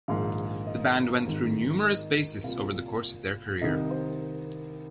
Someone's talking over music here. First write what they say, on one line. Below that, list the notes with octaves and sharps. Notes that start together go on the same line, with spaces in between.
The band went through numerous bassists over the course of their career.
A#1 G#2 D#3 F5
D#5
G#1 G#2 D#3
D#5
C2 A#2 F5
C2 C3 D#3 D#5
C5